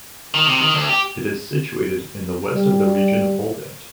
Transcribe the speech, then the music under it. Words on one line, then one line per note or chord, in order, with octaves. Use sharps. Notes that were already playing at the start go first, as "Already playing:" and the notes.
It is situated in the west of the region of Oldambt.
D#3
C3
D#3
D2
G4
G3